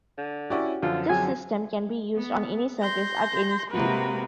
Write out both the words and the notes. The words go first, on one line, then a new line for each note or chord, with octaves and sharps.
This system can be used on any surface at any speed.
D3
C#4 E4 F#4 G4 C#5 D5
F#2 D3 F3 F4
F#3 C4 G#4 G#5
B3
C6 G6 A#6
C3 G#3 A#3 F#4 A#4 B4